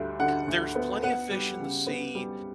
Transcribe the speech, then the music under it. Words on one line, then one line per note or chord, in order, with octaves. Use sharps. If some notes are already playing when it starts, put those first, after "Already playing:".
There's plenty of fish in the sea,
Already playing: D2 D3 G3
D3 F#5
D2
B3
B3 F#5
G3
C#3
B3
G3